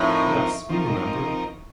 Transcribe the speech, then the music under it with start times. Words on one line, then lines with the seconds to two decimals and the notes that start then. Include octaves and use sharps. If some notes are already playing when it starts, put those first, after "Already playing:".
Yes, we remember.
Already playing: A2 F3 C4 D#4 A#4
0.69 F3 C4 D#4 A#4